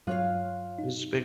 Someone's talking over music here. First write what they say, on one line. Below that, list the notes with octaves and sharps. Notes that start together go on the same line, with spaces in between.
It's be
G2 F#3 F4 C#5 F5 F#6
D#4